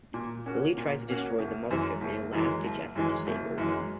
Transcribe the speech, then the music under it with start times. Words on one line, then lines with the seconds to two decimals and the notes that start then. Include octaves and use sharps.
Lili tries to destroy the mothership in a last-ditch effort to save Earth.
0.14 A#2
0.46 A#3 C#4 F#4
0.77 A#2
1.08 A#3 C#4 F#4
1.39 F#1
1.71 F#2 E3 G#3
2.01 F#1
2.33 F#2 E3 G#3
2.64 F#1
2.95 F#2 E3 G#3
3.27 F#1
3.58 F#2 E3 G#3